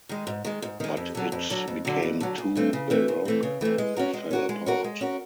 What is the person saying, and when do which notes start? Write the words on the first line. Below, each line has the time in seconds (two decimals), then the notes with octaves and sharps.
But it became too baroque and fell apart.
0.09 D#3 G#3
0.27 G#2
0.45 D#3 G#3
0.62 G#2
0.80 D#3 G#3
0.97 F2
1.15 D3 F#3
1.32 F2
1.50 D3 F#3
1.68 F2
1.85 D3 F#3
2.03 F2
2.20 D3 F#3
2.38 C#3
2.56 E3 A3 C4
2.73 C#3
2.90 E3 A3 C4
3.08 C#3
3.25 E3 A3 C4
3.43 C#3
3.61 E3 A3 C4
3.78 G#3
3.96 C#4 F#4 A#4
4.13 G#3
4.31 C#4 F#4 A#4
4.49 G#3
4.66 C#4 F#4 A#4
4.84 G#3
5.01 C#4 F#4 A#4